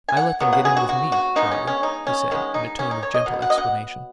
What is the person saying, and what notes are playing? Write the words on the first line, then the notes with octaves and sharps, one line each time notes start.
"I let them get in with me, Charlie," he said in a tone of gentle explanation.
G#5
F#5
C#3 F#3 B3
F#5
G#4
F#4
F#4
F#4
C#3 G#3 B3 D#4
C#4
C#4
D#4
C#4
D#3 G#3 B3 C#4
D#4
C#4
D#4
C#5
D#5
B2 F#3
F#5
D#5
F#5